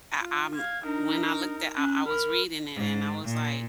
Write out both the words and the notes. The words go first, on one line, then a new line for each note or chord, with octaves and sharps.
I, um when I looked at I I was reading it and I was like,
F4
F5 G#6
D4 D#4 A#4
C#4 F#6
A#4 B5 F6
G#2
A#2